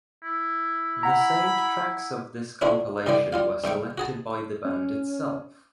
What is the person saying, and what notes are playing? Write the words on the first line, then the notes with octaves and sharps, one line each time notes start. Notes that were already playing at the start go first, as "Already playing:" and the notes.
The soundtracks of this compilation were selected by the band itself.
E4
F#5 A#5 B5
D3 F3 A3 C4 D4 E4
G2 D3 E3 D5 G5
G3 F4 F5
G2 A3 G5 C#6
F#4 G#4 A5
C#4